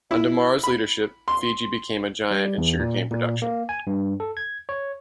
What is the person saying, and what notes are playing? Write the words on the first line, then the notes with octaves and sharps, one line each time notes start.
Under Mara's leadership, Fiji became a giant in sugarcane production.
E4
B5
C6
G3
E2
A#2
A#2
A#3
G#5
G2
A4
G#6
C#5